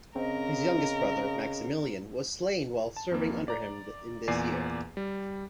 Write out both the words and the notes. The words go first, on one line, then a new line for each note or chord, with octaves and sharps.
His youngest brother, Maximilian, was slain while serving under him in this year.
C#3 C4 A#4 D#5
A5
F2 A#3
D5 A#5
E2 A#2 D5 G#5 C7
G3